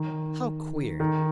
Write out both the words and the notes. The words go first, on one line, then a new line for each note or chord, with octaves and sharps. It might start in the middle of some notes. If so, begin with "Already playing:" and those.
How queer!
Already playing: D#3
D#3